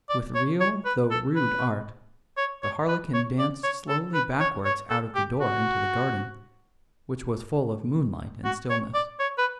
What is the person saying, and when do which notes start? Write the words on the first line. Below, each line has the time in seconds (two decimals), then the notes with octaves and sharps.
With real though rude art, the harlequin danced slowly backwards out of the door into the garden, which was full of moonlight and stillness.
0.09 D5
0.35 C#5
0.61 C#5
0.85 B4
1.11 A4
1.36 B4
2.37 C#5
2.63 C#5
2.88 B4
3.14 C#5
3.39 D5
3.63 C#5
3.89 A4
4.14 B4
4.40 C#5
4.65 C#5
4.90 A4
5.15 G4
5.41 F#4
8.45 F#4
8.70 C#5
8.94 D5
9.20 C#5
9.38 B4